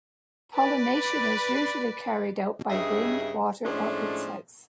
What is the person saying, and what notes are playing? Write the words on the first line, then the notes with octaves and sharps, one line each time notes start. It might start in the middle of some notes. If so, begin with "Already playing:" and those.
Pollination is usually carried out by wind, water or insects.
B4 D5
G2 C#3 G#4 D#5 E5
A2 F3 G#3 A3 C#4 D4